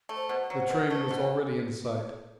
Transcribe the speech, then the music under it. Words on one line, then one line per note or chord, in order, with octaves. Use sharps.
The train was already in sight.
A3
C5
B2
C5
F#3
B2 B4
A3 B4
C5
B2